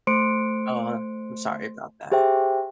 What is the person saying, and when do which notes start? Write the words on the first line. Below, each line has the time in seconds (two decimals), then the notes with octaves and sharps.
Uh, I'm sorry about that.
0.07 A3 C5 C6 C#7 D7
2.12 G4 G#4 C5 E5 G5